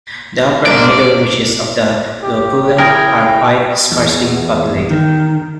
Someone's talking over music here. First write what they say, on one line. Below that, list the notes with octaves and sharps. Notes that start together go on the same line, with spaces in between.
The upper and middle reaches of the Luapula are quite sparsely populated.
G#2 A#3 D4 D5
G4
E4 G#4 A#4 G5
E2
D#3